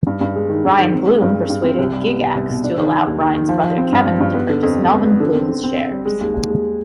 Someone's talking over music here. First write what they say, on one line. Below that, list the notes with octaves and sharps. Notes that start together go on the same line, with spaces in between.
Brian Blume persuaded Gygax to allow Brian's brother Kevin to purchase Melvin Blume's shares.
G2
G2
G#3
D#3
G2
D#3
C4
G#3
G2
G#3
G2
C4
C2
G3
B3
C2
C2
B2
D4
D#3
D#3
D#2
D#3
D#3
F3
F3
C4
G2
F3
G2
B3
D3
F2
G3
B3
B3
D3
C4
D3
C4
C4
G3
G#3
D#2
D#2
G#3